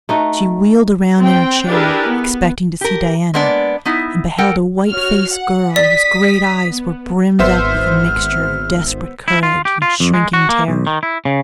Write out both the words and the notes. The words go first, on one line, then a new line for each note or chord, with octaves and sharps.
She wheeled around in her chair, expecting to see Diana, and beheld a white-faced girl whose great eyes were brimmed up with a mixture of desperate courage and shrinking terror.
A3 D#4 F#4
C4 G5
D4 E4 G4 G#4 A#4 B4
B3
G4 A#4
G#3 A#3 B3 D4 D5
B3 D#4 E4
A4 A#4 F#5 G5
F#4 C#5 F6
F#5
D5 D#6 B6
B3
G#1 B3 C5 E5 F6
E4
F4
G4
F4
F2
G#3
F#4
A#3
B1
D#3
E4
C#3